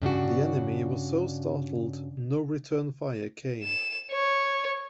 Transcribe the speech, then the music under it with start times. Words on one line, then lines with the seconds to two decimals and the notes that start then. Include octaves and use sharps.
The enemy was so startled no return fire came.
0.02 G2 C#3 D4 F#4
3.64 E7
4.12 C#5